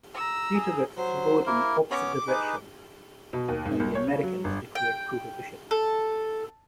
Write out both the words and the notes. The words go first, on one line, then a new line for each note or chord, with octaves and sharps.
Later it flowed in the opposite direction when the Americans declared Prohibition.
A#5 E6
G#4
F#3 C5
A#3 E4 A#4
B3 C#4 C#5 D6
D#4 G#4 B4
B2
D#2
G#2
C2
C#5
C#3
F#3
G1
G5
A4